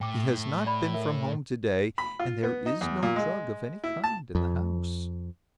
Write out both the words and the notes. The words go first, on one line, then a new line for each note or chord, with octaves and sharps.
"He has not been from home to-day, and there is no drug of any kind in the house."
A2 G5 D6
D5 B5
A#4 E5
B5
F4
B3
D#4
E2
A#2
G#3
E4
A5
F2